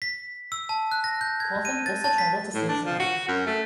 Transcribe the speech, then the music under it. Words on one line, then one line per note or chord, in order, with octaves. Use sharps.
Colton also traveled to Cincinnati.
B6
E6
A5
F#6
A#6
G6
G#6
D#7
A6
A5
B6
A2
D4
F3
F#4
F#2
A3